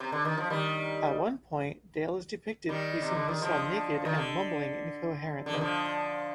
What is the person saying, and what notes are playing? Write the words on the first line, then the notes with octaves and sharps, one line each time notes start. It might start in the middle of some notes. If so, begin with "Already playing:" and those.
At one point Dale is depicted pacing his cell naked and mumbling incoherently.
C3
D3
D#3
F3
D#3 G3
D#3 G3
C3
D3
D#3
D3 F3
D#3
D3
D3
D#3
D3 F3